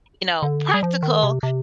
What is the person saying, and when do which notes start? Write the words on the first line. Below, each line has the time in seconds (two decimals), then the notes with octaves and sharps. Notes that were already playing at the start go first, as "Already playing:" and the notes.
you know, practical,
0.42 D3
0.74 G3
0.83 F3
1.03 D#3
1.23 C3
1.43 C3